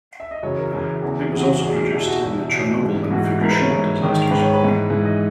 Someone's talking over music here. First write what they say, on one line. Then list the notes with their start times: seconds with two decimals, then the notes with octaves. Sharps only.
It was also produced in the Chernobyl and Fukushima disasters.
0.20 E5
0.31 D#5
0.43 F#2 C#3 E3 C#5
0.57 A#4
0.73 F#2 C#3 E3
1.02 E2 C#3 E3
1.33 E2 C#3 E3 G#4
1.40 F#4
1.47 G#4
1.62 E2 B2 G#4
1.91 E2 B2 E4
2.07 F#4
2.22 E2 B2 E4
2.52 E2 B2
2.81 G#2 E3
3.11 G#2 E3 F#4
3.41 G#2 E3 A#4
3.51 B4
3.61 C#5
3.70 G#2 E3
4.01 G#2 D#3
4.31 G#2 D#3 B4
4.42 C#5
4.54 B4
4.61 G#2 E3
4.90 G#2 E3
5.05 D#5